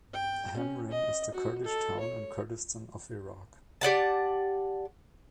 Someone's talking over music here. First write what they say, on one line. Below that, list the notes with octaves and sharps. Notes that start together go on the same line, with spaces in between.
Hamrin is the Kurdish town in Kurdistan of Iraq.
G5
C#4
D#5
F#4
A4
C#5
G4 D5 F#5 A5